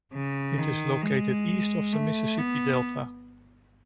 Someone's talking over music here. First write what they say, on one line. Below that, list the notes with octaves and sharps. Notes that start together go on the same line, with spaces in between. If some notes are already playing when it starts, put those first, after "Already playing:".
It is located east of the Mississippi Delta.
C#3
D#3
G#3
A3
B3